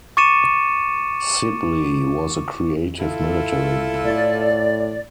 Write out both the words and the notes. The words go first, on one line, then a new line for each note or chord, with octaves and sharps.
Sibley was a creative military man.
C#6 D6 A6 C#7 D#7 E7
E4 F4 A4
A2 D5